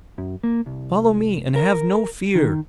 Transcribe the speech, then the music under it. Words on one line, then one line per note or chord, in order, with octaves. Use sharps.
"Follow me and have no fear."
F#2
A#3
C2
A#4
D#3